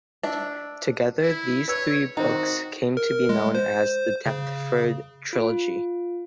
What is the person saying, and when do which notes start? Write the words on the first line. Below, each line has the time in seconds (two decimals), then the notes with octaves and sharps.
Together these three books came to be known as The Deptford Trilogy.
0.23 D4 E5
1.22 E4
1.68 B4 C#5 E6
2.17 D#3 C4 D#4 F#4
2.97 A#4
3.29 G#3
3.55 C5
4.26 C#3
5.33 F4